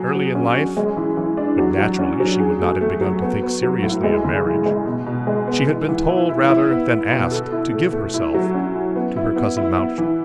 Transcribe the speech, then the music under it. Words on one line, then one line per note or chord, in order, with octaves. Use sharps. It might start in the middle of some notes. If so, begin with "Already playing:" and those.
Early in life, when naturally she would not have begun to think seriously of marriage, she had been told rather than asked to give herself to her cousin Mountjoy.
Already playing: F#3 G#4
F#3
C#4
C#4
G#3
E3
E3
D4
F#3
F#3
C#4
F#3
G#4
A3
A3
F#3
B3
B3
F#3
A2
G#3
C#3
E3
G#3
B2
B2
G#3
B3
E3
E3
E4
E4
E4
B3
E4
B2
A4
E4
A3
A3
E4
F#3
C#4
E4
B3
E4
B3
E4
B3
E3